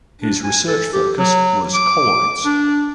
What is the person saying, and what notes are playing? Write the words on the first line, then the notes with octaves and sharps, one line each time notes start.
His research focus was colloids.
D4
G#5
A4
G4
F#3
D6
D4